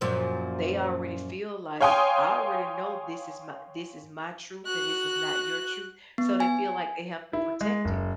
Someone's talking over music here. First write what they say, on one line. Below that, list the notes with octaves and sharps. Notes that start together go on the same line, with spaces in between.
they already feel like, "I already know this is my this is my truth, and this is not your truth," so, they feel like they have to protect it
F#2 A#2 F3
C#5 F5 G5 G#5 C6 D#6
F#4 F#6
B3
G#5
E4
G#3
F#1